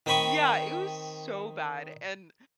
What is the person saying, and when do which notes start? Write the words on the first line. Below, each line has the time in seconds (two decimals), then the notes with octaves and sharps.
Yeah, it was so bad, and,
0.06 D#3 C4 G5 B5 C#6 D#6